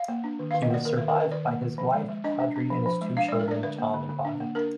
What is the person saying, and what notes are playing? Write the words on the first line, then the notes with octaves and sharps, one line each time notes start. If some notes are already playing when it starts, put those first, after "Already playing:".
He was survived by his wife, Audrey, and two children: Tom and Bonnie.
Already playing: F5
A#3
D4
D#3
D#3 F5
D#5
A#3 D5
D#3 A#4
D#3 B4
A#4
D#3 B4
D#3 D5
A#3
D#3
F3
G#3
G#3
D4 D#5
D4
D4
F3
F3
G#3
D4 F5
G#3 D5
A#4
D4 D5
D3 B4
A#3
D3
D3
D4
A#3
D4 A#4